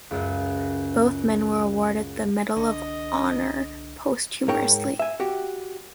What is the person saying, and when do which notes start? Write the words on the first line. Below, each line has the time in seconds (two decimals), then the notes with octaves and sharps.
Both men were awarded the Medal of Honor, posthumously.
0.11 C#2 F#2
2.57 C2 D3 D#5
4.48 G#2 A#4 C#5 G5
4.99 E5 G#5
5.20 F#4 G4